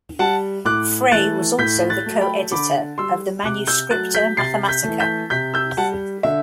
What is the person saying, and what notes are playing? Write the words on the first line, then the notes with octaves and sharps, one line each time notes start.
Frey was also the co-editor of the "Manuscripta Mathematica".
G3 F#5 A5
A2 D6 F#6
E3 A3 F#6 A6
A2 G6 B6
F#6 A6
F#3 A3
G5 B5
D3 B5 D6
G3 C6 E6
C3 D6 F#6
E6 G6
F#3 A3 F#6 A6
G6 B6
C3 A6 C7
G6 B6
E3 A3
G6 B6
C3 G6 B6
E6 G6
G3 F#5 A5
D3 E5